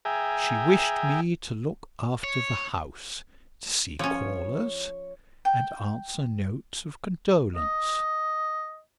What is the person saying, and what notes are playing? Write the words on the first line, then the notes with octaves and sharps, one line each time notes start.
She wished me to look after the house, to see callers, and answer notes of condolence.
G#4 E5 G5 G#5 A#5
C#5
F3 C#4 C#5
G5
D#5